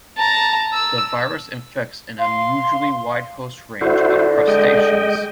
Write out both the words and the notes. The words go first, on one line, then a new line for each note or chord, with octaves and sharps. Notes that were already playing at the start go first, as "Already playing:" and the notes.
The virus infects an unusually wide host range of crustaceans.
A5 A#5
E6
F5 C6
D3 E4 F#4 C5
G#3 D#5 G5